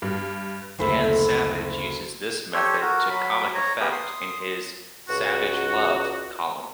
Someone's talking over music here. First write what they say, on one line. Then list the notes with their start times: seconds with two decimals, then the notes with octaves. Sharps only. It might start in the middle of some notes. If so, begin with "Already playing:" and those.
Dan Savage uses this method to comic effect in his "Savage Love" column.
0.02 G2
0.79 F#1 D2 C4 A4 E5 B5
2.54 G4 A4 C5 C#5
2.81 F#4 A#4
3.10 F#3 B5
3.55 C#5 A#5
3.80 B3 G4 G#4 A#4
3.92 C6 D#6
5.09 C#2 F#4